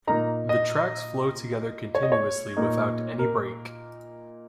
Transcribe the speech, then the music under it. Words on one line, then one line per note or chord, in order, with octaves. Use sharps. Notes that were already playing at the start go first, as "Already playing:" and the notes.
The tracks flow together continuously without any break.
A#2 A#3 D#4 A#5
D#5
C#5
D#5
C#5
A#2 A#3 D#4
A#4